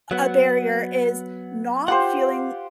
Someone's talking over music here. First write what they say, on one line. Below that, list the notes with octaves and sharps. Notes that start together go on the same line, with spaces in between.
a barrier is not feeling
F#3 B3 F#5
F4 G4 C5 F#5